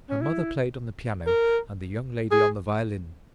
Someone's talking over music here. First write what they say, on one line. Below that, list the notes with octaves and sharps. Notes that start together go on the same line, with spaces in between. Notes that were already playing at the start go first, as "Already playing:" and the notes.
Her mother played on the piano and the young lady on the violin.
C#4
E4
A#4
G#4